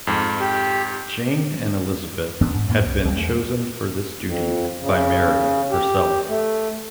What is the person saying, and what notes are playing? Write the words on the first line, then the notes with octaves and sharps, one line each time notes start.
Jane and Elizabeth had been chosen for this duty by Mary herself.
F2 G#2
G4
F#1 E2 B3 D4
G#2
F#2 A2 A#3
C2
C#2 G3
E2 A3
F2
C#3
G4
A3